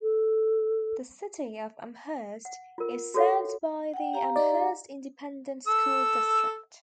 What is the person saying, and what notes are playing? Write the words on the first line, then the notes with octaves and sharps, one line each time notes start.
The City of Amherst is served by the Amherst Independent School District.
A4
F#5
F4 A#4
F#4 G4 A4 C#5 E5 F#5
F#5 G5
G4 F5 A#5
D#4 D5
A4 E6